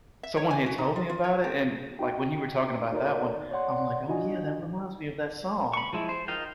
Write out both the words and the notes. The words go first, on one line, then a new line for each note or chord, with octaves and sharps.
someone had told me about it, and, y like, when you were talking about that one, I'm like, "Oh, yeah. That reminds me of that song."
E5
C#5
G#5
F#4
D#4
F4
F4
C#5
G4
D#4 F#4 G5
D#4 F#4 A4 A#4 C#5 D5
C#5 D5 F#5 C6
D4 D#4 F4 F#4 D#5 G#5
B5 C#6
F3 G#3 E4
C5
D#4 F4 A#4 F5 G5